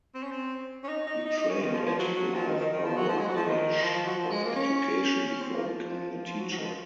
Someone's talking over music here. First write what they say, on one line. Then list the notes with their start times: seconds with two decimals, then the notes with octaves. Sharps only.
He trained at Loughborough College of Education before becoming a teacher.
0.15 C4
0.23 C#4
0.31 C4
0.84 C#4
0.88 D#4
1.07 D#4
1.25 D#4
1.37 D#4
1.50 C#4
1.62 D#3
1.74 F3
1.86 F3
1.99 F#3
2.16 F#3
2.35 F3
2.47 D#3
2.60 D#3
2.73 D#3
2.84 F3
2.97 F#3
3.09 F3
3.18 G#3
3.28 F#3
3.37 F3
3.45 D#3
3.82 F3
3.95 F3
4.06 F#3
4.19 F3
4.31 G#3
4.44 A#3
4.56 C#4
5.29 C#4
5.42 C4
5.54 A#3
5.66 F3
6.40 F#3
6.51 F#3
6.58 D#3
6.64 F3